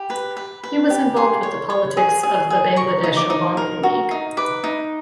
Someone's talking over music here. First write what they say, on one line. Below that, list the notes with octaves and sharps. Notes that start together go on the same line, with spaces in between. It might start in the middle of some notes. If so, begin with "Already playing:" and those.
He was involved with the politics of the Bangladesh Awami League.
Already playing: G4 B5
B4
B4
B4
G4
G#4 C6
C#5
C#5
G#4
G#4
G#4
A#4 C#6
D#4
D6
D#4
A#4
F#4
D#4
B4 D6
D#4